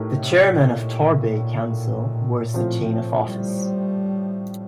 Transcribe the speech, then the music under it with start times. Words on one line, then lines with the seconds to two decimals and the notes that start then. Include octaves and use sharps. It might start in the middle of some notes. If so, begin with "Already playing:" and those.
The Chairman of Torbay Council wears the chain of office.
Already playing: A2 A3 D#4 G4 A#4
0.17 C3
0.51 A#2
2.54 A2 F3 C4 F4
3.22 G3